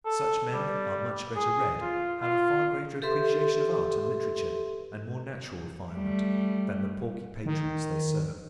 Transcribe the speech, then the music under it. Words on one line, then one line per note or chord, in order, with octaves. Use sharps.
Such men are much better read, have a far greater appreciation of art and literature and more natural refinement than the porky patrons they serve.
A4
G3
G#4
F4
F4
G4 A4 B4 E5 C6
G3 A3
D#3